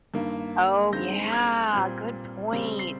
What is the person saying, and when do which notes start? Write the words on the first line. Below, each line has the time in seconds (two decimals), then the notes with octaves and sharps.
Oh, yeah, good point.
0.14 G2 D#3 A#3
0.93 G2 D#3 G#3 C4 G6 A#6
1.32 F6 G#6
1.73 A#2 G3 C4
2.52 C#3 G3 C4
2.79 C7